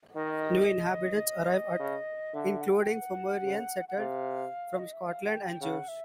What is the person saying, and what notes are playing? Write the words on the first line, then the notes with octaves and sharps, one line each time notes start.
New inhabitants arrived, including Pomeranians, settlers from Scotland, and Jews.
D#3 D#5
C#3
D3 E5
F#5
G5
F#5
C#3
F#5
C3 F5
D#5
E5
F5
F#5
G5
C#3 F#5
E5